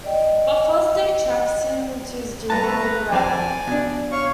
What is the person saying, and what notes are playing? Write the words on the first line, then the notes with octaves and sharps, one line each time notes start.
But Fosdick tracks him to his doom-with a rabbit.
D5 D#5 G5
G2 B4 A5 A#5
A3
F2 C5 D5 G#5 A5
B2 D4
C#5 F5 C#6